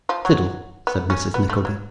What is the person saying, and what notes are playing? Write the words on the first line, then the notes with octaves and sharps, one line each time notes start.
'Fiddle,' said Mrs Nickleby.
F3
F#3
B3
C#4
B3
A3
F#3